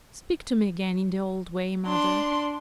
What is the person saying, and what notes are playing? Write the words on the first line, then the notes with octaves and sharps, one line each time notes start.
Speak to me again in the old way, mother.
D4 C6